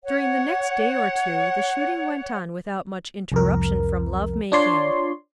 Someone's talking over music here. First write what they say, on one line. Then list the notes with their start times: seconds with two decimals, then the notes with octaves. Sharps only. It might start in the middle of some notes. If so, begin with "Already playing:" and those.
During the next day or two the shooting went on without much interruption from love-making.
0.04 C#5 F#5
3.32 C2 F2 A#4
4.52 D4 F4 C#5 D5 C6